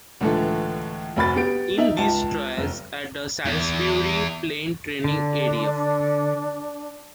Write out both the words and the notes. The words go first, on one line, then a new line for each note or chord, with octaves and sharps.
In these trials at the Salisbury Plain training area.
C#2 A2 D3 E3 A4
F1 D2 B5 A6
B3 G4 D7
D#4 E5
C#2 A5
F1
E2 E4
D3 D4